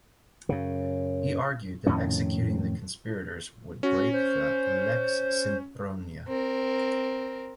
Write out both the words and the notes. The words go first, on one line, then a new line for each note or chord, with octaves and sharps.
He argued that executing the conspirators would break the "lex Sempronia".
F#2 C#3
F2 A2 D#3 C#4
C#4 F#4
C5
C4 A#4